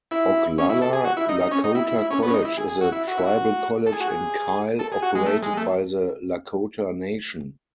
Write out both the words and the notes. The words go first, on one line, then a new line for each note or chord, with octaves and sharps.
Oglala Lakota College is a tribal college in Kyle operated by the Lakota Nation.
E4
C#4
E4
A4
G#4
F#4
E4
D#4
D#4
C#4
D#4
E4
E4
E4
C#4
B3
C#4
D#4
E4
G#4
G#4
F#4
E4
F#4
E4
F#4
A4
G#4
F#4
G#4
A4
G#4
F#4
G#3
A3
G#3
A3